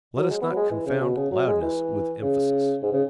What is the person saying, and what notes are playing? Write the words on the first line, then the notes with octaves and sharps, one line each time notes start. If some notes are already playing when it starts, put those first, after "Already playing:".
Let us not confound loudness with emphasis.
F#3
G#3
B3
F#3
G#3
E3
C#3
B2
C#3
F#3
G#3
E3
C#3
G#2
C#3